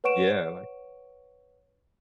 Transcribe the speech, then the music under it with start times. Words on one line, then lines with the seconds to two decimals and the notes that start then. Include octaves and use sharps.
Yeah, like
0.04 B4 C#5 F#5 C#6 D7 E7